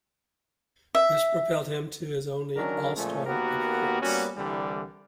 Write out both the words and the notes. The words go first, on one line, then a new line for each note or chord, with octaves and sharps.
This propelled him to his only All-Star appearance.
E5
D#3 F#3 C#4 D4 A#4
A#2 F3 G#3 A3 C#4
D#2 A#3 B3 F#4 G4 A#4
G3 A#3 B3 C#4 F#4
C2 D3 E3 G3